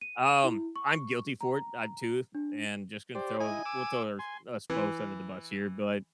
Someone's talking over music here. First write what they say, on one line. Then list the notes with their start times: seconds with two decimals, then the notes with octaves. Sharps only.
Um, I'm guilty for it, uh too, and just gonna throw we'll throw us both under the bus here, but, like,
0.01 D#7
0.44 E4
0.76 C#6
1.41 A#5
2.35 D4
3.15 G4 C5 D5
3.40 E4 D#5 G#5
3.66 D6 E6
4.19 G#5 C6
4.70 E3